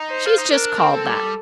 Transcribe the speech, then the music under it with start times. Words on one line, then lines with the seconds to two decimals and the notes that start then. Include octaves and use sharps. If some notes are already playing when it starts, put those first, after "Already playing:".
She's just called that.
Already playing: D#4
0.09 C5
0.26 F4
0.38 D#4
0.50 D4 A#4
0.78 C4
0.92 A4
1.06 G3